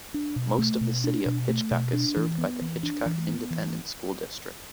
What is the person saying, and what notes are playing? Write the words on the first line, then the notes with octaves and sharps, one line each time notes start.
Most of the city of Hitchcock is served by the Hitchcock Independent School District.
D4
B2
A3
B2
D4
B2
A3
B2
D4
E3
B3
E3
D4
E3
B3
E3